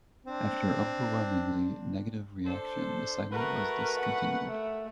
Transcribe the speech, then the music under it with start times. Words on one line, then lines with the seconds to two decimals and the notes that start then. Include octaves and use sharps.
After overwhelmingly negative reaction, the segment was discontinued.
0.27 C4 D4
2.46 D4 A4 C5
3.32 A3 F#4 A#4 B4
3.99 F#5
4.50 A3